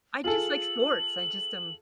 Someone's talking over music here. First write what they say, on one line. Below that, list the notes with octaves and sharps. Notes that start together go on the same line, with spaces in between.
I just like sports, I just um,
F4 G#4 A4 F#7